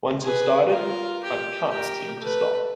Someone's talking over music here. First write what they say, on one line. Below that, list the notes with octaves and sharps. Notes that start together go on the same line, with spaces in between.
Once I've started, I can't seem to stop.
G#4 B4
F4 A#4
G4
G4 A#4
A3 B4